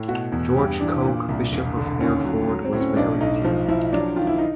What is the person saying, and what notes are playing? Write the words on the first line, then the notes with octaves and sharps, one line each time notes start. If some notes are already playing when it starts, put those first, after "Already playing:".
George Coke, Bishop of Hereford, was buried here.
Already playing: A2
B2 F#4
E2
G2 G4
E3 D4
A#2
C2
E1
D3
D#2 C#4
F#3
F#3
C4
A2
C#4
B1 D4
B1 D#4
F3 D#4
F3 E4
F#3 D4
D#3 F4
E4
D#4